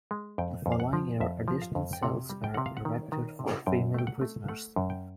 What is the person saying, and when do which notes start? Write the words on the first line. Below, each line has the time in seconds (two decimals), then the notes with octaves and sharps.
The following year additional cells were erected for female prisoners.
0.11 G#3
0.38 F2 G5
0.66 F2
0.72 F5
0.80 F#5
0.93 F3
1.20 F2 E5
1.48 F3
1.62 F5
1.75 F2
1.93 G5
2.03 C3 F#5
2.30 G3
2.44 G5
2.54 C3 F#5
2.66 F5
2.77 F#5
2.85 D#3
3.12 D#3
3.39 C3
3.66 F#2 G5
3.94 A3 G5
4.07 F#5
4.21 A3
4.48 A3 F#5
4.76 F#2
4.90 G5